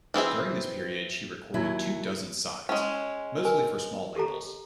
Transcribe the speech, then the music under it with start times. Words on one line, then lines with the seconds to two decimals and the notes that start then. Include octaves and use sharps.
During this period she recorded two dozen sides, mostly for small labels.
0.14 E3 C4 G#4 E5
1.54 D#2 F#3 E4 G#5
2.69 G#3 C#4
3.45 A#4 B4 G#5
4.16 G4 A4 A#5